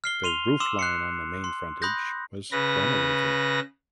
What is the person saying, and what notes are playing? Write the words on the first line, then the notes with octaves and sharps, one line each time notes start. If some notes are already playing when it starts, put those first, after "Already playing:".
The roofline on the main frontage was crenelated.
F6 C7 G7
C6 D#7 F7 G7
C6 D6 E6 E7
F#6 C7 C#7
C6
B5 C6 D#6 F#6 G6 A#6
C#3 B4 A#6